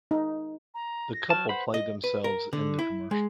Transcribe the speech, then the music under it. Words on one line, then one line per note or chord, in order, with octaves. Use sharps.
The couple play themselves in the commercial.
D#4
A#5
A#6
F#3 A5 F6
B4 C5 F#5 B5
D#5
B4
A#4
D3
E4
G#3